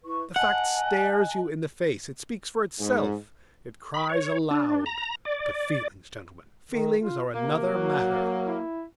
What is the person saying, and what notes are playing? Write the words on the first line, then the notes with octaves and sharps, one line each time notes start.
The fact stares you in the face, it speaks for itself, it cries aloud, but feelings, gentlemen, feelings are another matter.
E4 B4 C#6
D#5 F#5 G#5 A5
G#2
B5
C#5
D4
A#5
D5
D#3
F4
C3 A#3
F#3 F#4
E4